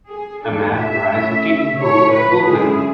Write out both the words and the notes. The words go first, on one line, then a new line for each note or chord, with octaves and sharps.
A man rides a kicking bull in a bullpen.
G#4
E2 D3 A3 D4 A4
E5
D3 A3 C#4 E4
D3 A3 E4 C#5
B4
F#2 D3 G#3 C#4 E4 G#4